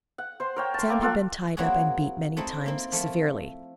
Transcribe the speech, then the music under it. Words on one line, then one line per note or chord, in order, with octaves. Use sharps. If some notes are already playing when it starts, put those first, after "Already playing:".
Sam had been tied up and beat many times severely.
F#5
C5 C6
A#4 C#5 G5
A5 C6
A3 A#3 D6
A#3 F4 A4 F#5
F#3 A#3 C4 E4 F#4 G#4
A3 C4 D#4 E4
A#3 C4
F3 A3 E4